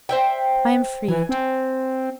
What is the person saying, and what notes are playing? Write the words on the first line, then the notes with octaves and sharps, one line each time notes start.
I am freed.
C5 E5 G5
E3 G#5
C4